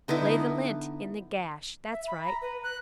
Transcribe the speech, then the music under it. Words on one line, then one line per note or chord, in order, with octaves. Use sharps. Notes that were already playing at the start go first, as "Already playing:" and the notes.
Lay the lint in the gash. That's right.
D3 B3 D#4 E4
E5
B5
A#5
B4
F#6